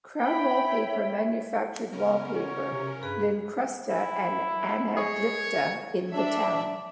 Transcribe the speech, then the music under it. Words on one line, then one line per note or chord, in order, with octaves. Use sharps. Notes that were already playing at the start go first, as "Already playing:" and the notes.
Crown Wallpaper manufactured wallpaper, Lincrusta and Anaglypta in the town.
C#5 E5 G5 B5
C#3 B3 C#4 A#4
F#4 C#5
C3
G2 G#4 B4
E4
G#4 C#5 D#5 C#6
D4 E5